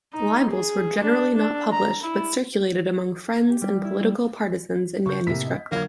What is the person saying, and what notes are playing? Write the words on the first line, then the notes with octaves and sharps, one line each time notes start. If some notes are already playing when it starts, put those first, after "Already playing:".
Libels were generally not published but circulated among friends and political partisans in manuscript.
D#4
G#4
D4
D4
A#5
E4
G4
G3
E4
C#3 C#6 G6
A2 C3 A#3 B6
D#5
D3 F#3 A#3 F5 G#6